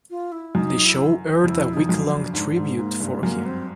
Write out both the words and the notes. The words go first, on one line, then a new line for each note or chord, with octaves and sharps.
The show aired a week-long tribute for him.
F4
E4
F#2 D#4
E4
F2 E4
F2 D#4
F#2
D4
G#2 D4
G#2
G#2 A#3
G2
F#2 A#3
C4